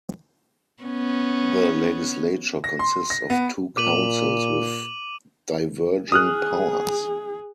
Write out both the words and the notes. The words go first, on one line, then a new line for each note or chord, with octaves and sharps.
The legislature consists of two councils with diverging powers.
B3 C#4
A#6
C6
A#6
B3
A#2 D6 D#7 F#7
G#4 D#6 F6 F#6